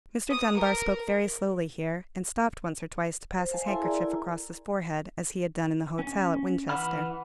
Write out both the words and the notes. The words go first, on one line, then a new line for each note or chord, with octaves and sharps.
Mr. Dunbar spoke very slowly here, and stopped once or twice to pass his handkerchief across his forehead, as he had done in the hotel at Winchester.
D#6
A#4
C5
F5 G#5 A5
E4 A4 E5 G#5 C6
G#4 A#4 D5 A#5
E4
C#4
E3 F#5 B5 F6